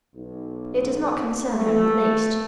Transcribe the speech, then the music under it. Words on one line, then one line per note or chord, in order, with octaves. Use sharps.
It does not concern her in the least.
B1
A3